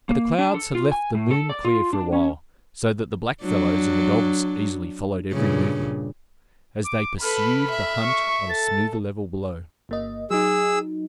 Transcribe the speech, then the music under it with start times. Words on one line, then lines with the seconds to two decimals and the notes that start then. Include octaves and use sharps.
But the clouds had left the moon clear for a while, so that the Blackfellows and the dogs easily followed every movement, as they pursued the hunt on a smoother level below.
0.09 A#3
0.39 D4
0.54 A4
0.75 F4
0.92 G#5
1.15 A2
1.31 A4
1.50 D5
1.65 F4
1.93 D4
2.13 C#4
3.43 F#3 D4
5.33 G2 A#2 C#3
6.84 D6
7.21 A4 B4 B5 F6
7.70 E5
8.02 C#6
8.50 A4 A6
9.89 G1 A#3 D#5
10.31 F#3 D#4 G#4 E6